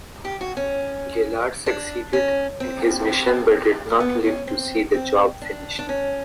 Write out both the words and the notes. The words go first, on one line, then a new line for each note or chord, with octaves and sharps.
Gaillard succeeded in his mission, but did not live to see the job finished.
G4
F#4
C#4
D4
C#4
C4
B3
C#4
C4
C4
D4
D4
C#4